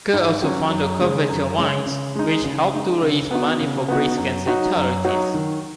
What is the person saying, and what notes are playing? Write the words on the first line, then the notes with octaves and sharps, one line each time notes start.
Kerr also founded Curvature Wines, which helps to raise money for breast cancer charities.
G#2
F#3 C#4 F#4
F#2
C#3 G#3 C#4
F#2
C#3 G#3 C#4
C#3
G#3 D#4
C#3
G#3 D#4
C#3
B3 D#4 F#4
C#3
B3 D#4 F#4
F#2
F#3 D#4 F#4
F#2
F#3 D#4 F#4
D#3